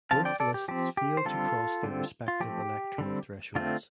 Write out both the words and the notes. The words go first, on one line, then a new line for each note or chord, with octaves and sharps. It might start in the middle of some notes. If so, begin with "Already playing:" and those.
Both lists failed to cross their respective electoral thresholds.
D3 F3 C4 F5 A5
D5 G5
A4 D5
G4
F3 C4 G4
G4
C5
D3 G3 C4 F4 A4
D3 G3 C4
F4
F3 A3 C4 G4
D3 G3 C4
D3 A3 C4 F4